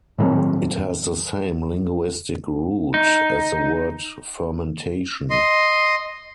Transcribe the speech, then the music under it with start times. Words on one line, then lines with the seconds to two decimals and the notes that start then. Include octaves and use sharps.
It has the same linguistic root as the word fermentation.
0.18 A2 D#3 F#3 C4
2.94 D#4
5.30 D#5 C6